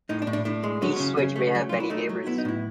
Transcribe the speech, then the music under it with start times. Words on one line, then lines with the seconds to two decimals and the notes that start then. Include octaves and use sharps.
Each switch may have many neighbors.
0.09 A2 D#4
0.22 D4
0.27 A2
0.33 D4
0.45 A2 D4
0.64 G#3
0.82 F#3 C#4
0.96 C#3 C#4
1.17 C#3 C#4
1.36 A3
1.55 F#3
1.69 F#3 F4
1.80 E4
1.90 A3 D#4
2.09 F#3
2.27 B3 E4
2.38 D#4
2.45 A2 E4